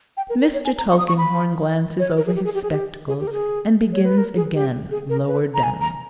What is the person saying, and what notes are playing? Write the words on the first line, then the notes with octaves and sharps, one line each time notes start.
Mr. Tulkinghorn glances over his spectacles and begins again lower down.
G5
A#4
A#4
C#5
G#5
A#5
C#6
D#6
C#6
B5
C#5
A#4
G#4
G4
G#4
G4
G#4
G4
G#4
G4
A#4
G#4
C#5
B4
A#4
G#4
G4
G#4
A#4
B4
A#5
G#5
A#5